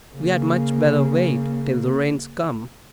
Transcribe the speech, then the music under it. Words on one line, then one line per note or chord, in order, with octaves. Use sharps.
We had much better wait till the rains come.
C#3 A#3